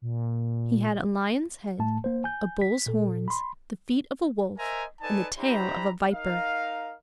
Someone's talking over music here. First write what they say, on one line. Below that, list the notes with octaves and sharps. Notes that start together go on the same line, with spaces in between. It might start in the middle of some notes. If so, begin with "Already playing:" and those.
He had a lion's head, a bull's horns, the feet of a wolf, and the tail of a viper.
A#2
A2 A3 A5
A#3 C5
G#5 G6
B6
A#2 A4
B5 C6
A#4 C5 D#5 E5 G#5 A#5
D#4 A4 B4 D5 G#5 A5
D4 E4 G4 C5 A#5 B5
D#4 A#4 D#5 F5